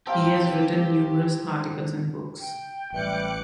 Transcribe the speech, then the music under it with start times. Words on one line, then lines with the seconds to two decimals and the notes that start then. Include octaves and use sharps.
He has written numerous articles and books.
0.07 C4 G4 F5 G5 A5 A#5
2.40 G5
2.93 A1 E3 F#3 G3 D6 F#6 C#7